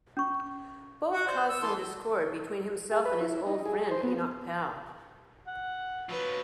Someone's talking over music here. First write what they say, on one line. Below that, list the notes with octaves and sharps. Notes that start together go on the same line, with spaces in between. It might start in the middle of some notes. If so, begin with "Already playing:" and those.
Both caused some discord between himself and his old friend Enoch Powell.
C#4 C#6
F#4 F#5
C5 D5
E6
E3 A4 C6
G#4
B4
E4
D#4
G#4
C5
B3
F#5
F#3 F4 B4